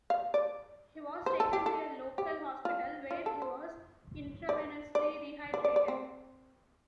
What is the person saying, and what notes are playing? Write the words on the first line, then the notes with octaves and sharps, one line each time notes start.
He was taken to a local hospital where he was intravenously rehydrated.
F5
D5
C5
A4
G4
A4
G4
F4
F4
A4
C5
D5
D5
D5
D5
D5
C4